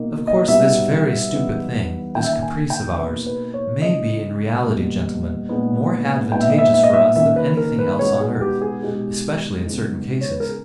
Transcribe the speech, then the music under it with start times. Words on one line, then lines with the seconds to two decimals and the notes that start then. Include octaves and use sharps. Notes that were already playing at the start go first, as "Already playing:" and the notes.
Of course, this very stupid thing, this caprice of ours, may be in reality, gentlemen, more advantageous for us than anything else on earth, especially in certain cases.
Already playing: B2 A#3 D#4
0.27 D#5
0.48 B2 G3 B3 D#4 E5
1.32 E3 G3 B3 D#4
2.15 D#3 A#3 C#4 G5
2.24 E5
2.33 G5
2.42 G#5
2.70 G5
2.98 B2 A#3 D#4 B4
3.26 B4
3.54 C#5
3.82 C#3 G#3 D#4 D#5
4.65 A#2 G3 B3
5.49 A#2 G#3 B3 D#4
6.32 A#2 G#3 B3 D#4 G5
6.41 E5
6.50 D#5
6.58 E5
6.74 E5
6.84 D#5
6.93 E5
7.16 D#3 A#3 C#4 E5
7.36 B4
7.57 A#4
7.78 B4
7.99 B2 G#3 B3 D#4 C#5
8.20 G#4
8.41 G4
8.61 G#4
8.83 B2 G#3 D#4 G4
9.66 C#3 G#3 B3 D#4
10.21 C#5
10.30 B4
10.40 A#4
10.49 G#4